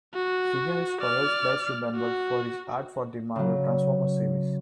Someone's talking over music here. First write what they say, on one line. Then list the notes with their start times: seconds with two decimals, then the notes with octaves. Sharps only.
Senior is perhaps best remembered for his art for the Marvel "Transformers" series.
0.15 F#4
1.02 D5 F6
1.96 F#4
3.36 C#3 F#3